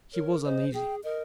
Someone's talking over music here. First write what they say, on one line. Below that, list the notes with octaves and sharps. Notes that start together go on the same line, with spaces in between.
He was uneasy.
A#4 C#5
C5 D#5
G#4 G5
A#4 D#5